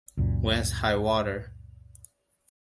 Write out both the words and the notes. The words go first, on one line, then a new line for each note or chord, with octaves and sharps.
When's high water?
C#2 F#2 A#2